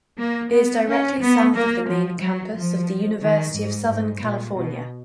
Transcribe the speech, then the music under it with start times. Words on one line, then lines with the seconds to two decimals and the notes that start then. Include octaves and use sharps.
It is directly south of the main campus of the University of Southern California.
0.19 A#3
0.53 B3
0.87 C#4
1.20 B3
1.54 A#3
1.88 F3
2.22 F#3
2.56 F3
3.23 D#3
3.56 G#2
3.89 G#2
4.23 A#2
4.57 B2